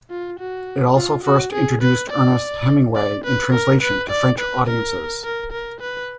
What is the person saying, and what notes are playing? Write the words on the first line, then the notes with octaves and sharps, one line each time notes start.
It also first introduced Ernest Hemingway in translation to French audiences.
F4
F#4
F4
F#4
G#4
B4
D5
D5
B4
A#4
B4
D5
B4
A#4
A#4
A#4
B4